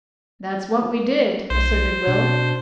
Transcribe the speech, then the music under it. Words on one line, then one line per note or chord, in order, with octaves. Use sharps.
"That's what we did," asserted Will.
B1 C5
B2 D4